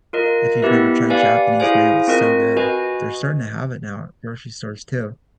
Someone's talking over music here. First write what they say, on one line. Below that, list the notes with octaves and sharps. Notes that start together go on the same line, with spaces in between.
if you've never tried Japanese mayo, it's so good. They're starting to have it now at grocery stores too.
F4 A#4 D#5
B3 E4 G4 B4 E5
G4 B4 D5 F5 G#5
E4 G#4 C5 F5 G#5
C4 F4 A#4 D#5
F#4 B4 D#5 G#5